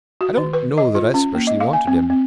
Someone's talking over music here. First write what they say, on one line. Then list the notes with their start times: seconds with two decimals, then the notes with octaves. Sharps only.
I don't know that I specially wanted him.
0.21 F#4
0.37 D#3
0.53 B4
0.78 D#5
0.95 F4
1.14 C#4
1.35 A#3
1.47 D#5
1.60 F5
1.73 G#5
1.87 C4
2.10 C4